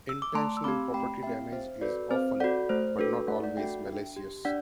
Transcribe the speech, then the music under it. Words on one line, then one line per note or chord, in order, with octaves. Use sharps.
Intentional property damage is often, but not always, malicious.
E6
D6
A3 A5 C6
E6
C4 G4 B5 D6
A3 G5 B5
C4 G4 E5 G5
C4 C5 E5
F#4 A4 B4 D5
C4 C5
F#4 A4 D5 F#5
A3 C5
D4 F#4 A4 B4
A3 F#5
E5
D5 F#5
D4 F#4 A4 E5 G5
D4
G4
D4 D5 F#5